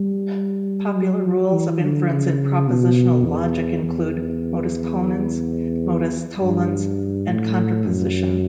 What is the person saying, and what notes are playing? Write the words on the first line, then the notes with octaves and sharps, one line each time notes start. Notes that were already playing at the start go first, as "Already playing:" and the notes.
Popular rules of inference in propositional logic include "modus ponens", "modus tollens", and contraposition.
Already playing: G3
F#3
E3
D3
C#3
B2
E2
E2
G2
A2
F#2